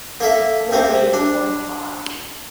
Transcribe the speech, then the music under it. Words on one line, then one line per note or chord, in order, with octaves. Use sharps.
Nobody is born taught.
A#3 A4 E5
C3 A#3 C4
D4